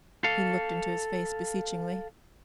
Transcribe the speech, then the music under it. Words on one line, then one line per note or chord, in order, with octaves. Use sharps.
He looked into his face beseechingly.
A4 F5